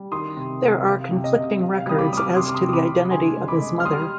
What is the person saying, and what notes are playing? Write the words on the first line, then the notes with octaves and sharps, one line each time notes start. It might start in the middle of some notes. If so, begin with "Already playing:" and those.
There are conflicting records as to the identity of his mother.
Already playing: G3
D#3 C6 D#6
C3
C3
C3 F5
C3
D#5
C3
C3 F5
F5
G3 D#6
B5 D6
G3 D#6
D6 F6
C3 C6 D#6
D6
C6 D#6
C3
D#6
B5 D6
C3
D3 G#5 C6
G#3
B5 D6
G#3
F6
G3 C6 D#6